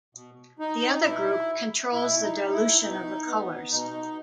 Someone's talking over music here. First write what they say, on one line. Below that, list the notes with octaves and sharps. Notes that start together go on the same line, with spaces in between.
The other group controls the dilution of the colors.
B2
D#4
D#4
B2 E4
B2 E4
D#4
E4
E4
B2 D#4
B3
B2 D#4